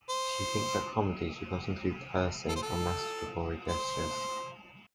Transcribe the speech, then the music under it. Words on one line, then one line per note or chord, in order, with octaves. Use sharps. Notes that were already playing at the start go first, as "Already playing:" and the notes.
She thinks that comedy should not include cursing or masturbatory gestures.
C5
A4
C5
A4
C5